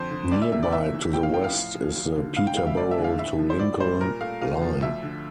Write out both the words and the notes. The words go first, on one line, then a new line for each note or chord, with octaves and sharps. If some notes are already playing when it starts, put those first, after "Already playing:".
Nearby to the west is the Peterborough to Lincoln Line.
Already playing: F2 D3 C5
D3
D2 D5
E5
C3 E5
D5
E2 E5
E3
A2 G5
F5
F3 G5
F5
A2
F3
D2
D3
A2 F5
G5
G3 F5
E5
D2 D5
E5
D3
F5
A2 E5
F3
C5
A2 D5
G3 C5
A#2 A#4
A3 F5
A#2 F5
F3
D2 E5
D3